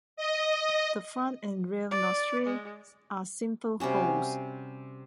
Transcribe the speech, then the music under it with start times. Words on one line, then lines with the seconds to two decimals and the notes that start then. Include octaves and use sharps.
The front and rear nostrils are simple holes.
0.17 D#5
1.91 D5
2.46 G#3
3.80 C3 G3 C#4 F#4